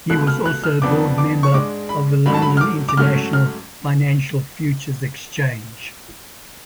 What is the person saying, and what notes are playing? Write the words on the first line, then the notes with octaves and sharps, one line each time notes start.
He was also a board member of the London International Financial Futures Exchange.
C#2 B2 A3 F#6
F6
F#6
F6
F2 C#3 F3 B3 D4 D6
D6
C#6
G#2 G#3 D4 D6
B5
G#2 F#3 A3 C#4 B5
A5
B5
F6
D6
D6
G#2 F#3 A3 C#4 F6
F6